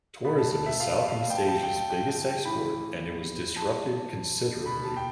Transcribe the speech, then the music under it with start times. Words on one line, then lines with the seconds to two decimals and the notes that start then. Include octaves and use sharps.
Tourism is South-East Asia's biggest export and it was disrupted considerably.
0.24 B2 B5
0.38 A5
0.52 A5
0.66 E5
0.80 F5
1.08 F5
1.30 G5
1.35 A5
1.48 A5
1.63 G5
1.76 A5
1.90 G5
2.09 G5
2.27 G5
2.45 A2 E3 B5
3.56 A5
4.66 B2 B5
4.85 A5
4.97 G5